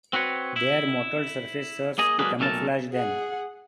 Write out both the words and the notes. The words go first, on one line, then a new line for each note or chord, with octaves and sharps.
Their mottled surface serves to camouflage them.
C4 F#4 B4 C#5
E4
A#3 G#4 D#5
F#3 G#3 A#3 D4 G#4 B4
B1 A#2 A3 A#4 A5
G#4 F#5